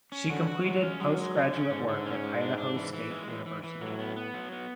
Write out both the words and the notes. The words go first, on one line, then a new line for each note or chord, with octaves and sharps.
She completed postgraduate work at Idaho State University.
C#4
D3 F#4
F#4
F#3 G#3
C#4
F#3 G#3
G#3
D3
C#4
G#2 D3
D3
C#4
G#3
D4
D4
E3
E3
G#3
E3
E3
E3
A2 F#3
B3
B3
F#3
B3